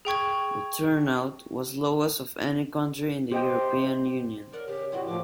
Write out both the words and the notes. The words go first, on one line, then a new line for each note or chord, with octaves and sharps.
The turnout was lowest of any country in the European Union.
G#4 G5 C#6 G#6
G4 C5 D#5 G5
A#4 C#5 D5 F#5
C#3 G4
B2 G3 C4 E4 F#4
A2 F3 D6